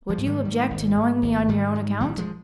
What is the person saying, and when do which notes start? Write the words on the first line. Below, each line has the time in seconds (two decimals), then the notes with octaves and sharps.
"Would you object to knowing me on your own account?"
0.09 F3 G#3
0.18 G#2
0.27 D#3 G3
0.45 G#2
0.70 G#1
0.97 G#2
1.22 G#1
1.49 G#2 D#3 G3
1.75 G#2
2.00 A#1 D#3 G3
2.18 F3 G#3